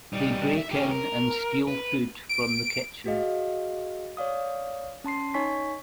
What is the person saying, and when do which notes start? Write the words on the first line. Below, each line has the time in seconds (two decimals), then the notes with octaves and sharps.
They break in and steal food from the kitchen.
0.13 G3 D#4
0.57 E5
0.71 C#4 G4
0.91 A#4
1.67 B4
2.29 D7
3.06 F#4 G#4 D#5 F5
4.17 C#5 D5 F5 D#6
5.04 C#4 A5 C6 C7
5.34 D#4 C#5 G#5 C#6 B6